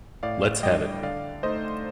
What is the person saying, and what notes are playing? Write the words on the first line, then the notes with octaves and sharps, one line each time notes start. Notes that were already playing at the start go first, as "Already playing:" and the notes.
Let's have it.
A2 D5 F5
G3 D4 D#5 G5
D3 D5 F5
A3 D#4 C5 D#5